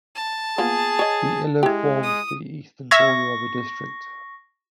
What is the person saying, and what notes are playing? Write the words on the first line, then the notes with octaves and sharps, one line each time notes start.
The Iller forms the eastern border of the district.
A5
A#3 B3 F4 G#4
C#5 D#5
G#3 E4 G4
D#6
E5 C#6 F6 G#6 A#6